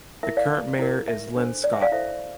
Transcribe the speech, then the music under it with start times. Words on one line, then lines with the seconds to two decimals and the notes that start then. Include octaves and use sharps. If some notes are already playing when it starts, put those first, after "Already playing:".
The current mayor is Lynn Scott.
0.23 E4 A#4 E5
0.37 D5 F5
0.79 E4 A#4
1.08 E5
1.36 D4 A4 C5
1.64 D5
1.73 E5
1.82 D5 F5
1.92 E4 A4 C5 E5